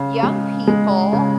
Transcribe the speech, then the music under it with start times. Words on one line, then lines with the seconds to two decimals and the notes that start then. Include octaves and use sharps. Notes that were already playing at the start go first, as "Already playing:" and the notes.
young people
Already playing: C#3 F5
0.23 G#3
0.67 G#3
1.13 C#3